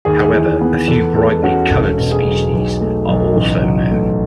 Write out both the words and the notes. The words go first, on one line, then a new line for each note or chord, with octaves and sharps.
However, a few brightly coloured species are also known.
D#2 G#4
E3
B3
E2 A4
G#3 A4
C#4 F#4
E1 A4
B2
G#4
F#3
B1
A3
B1
A1
F#3
A3